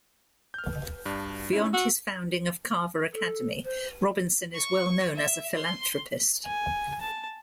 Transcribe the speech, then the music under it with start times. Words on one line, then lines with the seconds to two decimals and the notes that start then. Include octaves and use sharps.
Beyond his founding of Carver Academy, Robinson is well known as a philanthropist.
0.54 F6 G6
1.05 G2 D4
1.53 C#4 D#4 E4
1.73 F#4 E6
3.13 A4
3.65 C5
4.55 C#6
5.15 E5
5.55 C6
6.45 G#5
7.01 A5